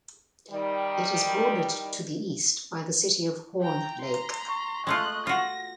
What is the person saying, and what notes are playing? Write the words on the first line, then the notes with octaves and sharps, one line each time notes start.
It is bordered to the east by the city of Horn Lake.
D#3 G3
G5 A#5
A#5 C6
C#6
G#3 A3 F4 D#5 F#6
F4 F#4 A#6